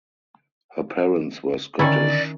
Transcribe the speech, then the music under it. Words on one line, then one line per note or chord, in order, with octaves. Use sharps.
Her parents were Scottish.
D3 D#3 C#4 E4 D5